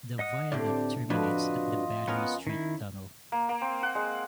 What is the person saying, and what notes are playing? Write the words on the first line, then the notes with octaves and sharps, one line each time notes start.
The viaduct terminates at the Battery Street Tunnel.
D#5 F#5 D#6
A2 D3 C4 G4 D5
F2 D4 F4 F#4 B4 D#5
B3 C#4 A#4
D#3 E4
A#3
A#3
C4
F#5
G#3